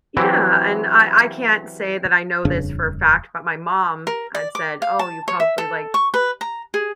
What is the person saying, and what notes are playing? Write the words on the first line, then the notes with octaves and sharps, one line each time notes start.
Yeah, and I I can't say that I know this for a fact, but my mom had said, "Oh, you probably liked
E3 F#3 C4 E4 G4
D#1 F2 C#3 D4
A#4
D5
D6
F5
A5
C#5
E5
A4
C#6
B4
A#5
G#4